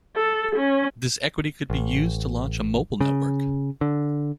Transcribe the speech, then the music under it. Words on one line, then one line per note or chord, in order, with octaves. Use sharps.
This equity could be used to launch a mobile network.
A4
C#4
A1
C#3
D3